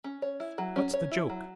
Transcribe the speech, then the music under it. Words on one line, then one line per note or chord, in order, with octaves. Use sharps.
"What's the joke?"
C#4
C#5
E4
F#3
C#4
C#5
E4
F#3